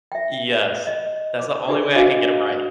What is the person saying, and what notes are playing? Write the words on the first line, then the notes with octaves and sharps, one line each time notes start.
Yes, that's the only way I can get 'em right.
E5 G5
D#5
D6
D4 G4 G#4 B4 D6
D4 F#4 D#5 F5 G#5 D6